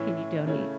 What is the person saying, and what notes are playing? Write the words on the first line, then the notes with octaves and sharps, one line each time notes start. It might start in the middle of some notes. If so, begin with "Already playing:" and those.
"Can you donate"
Already playing: A2 E3 C#4 E4 E5
C#3 A3 C#4 E4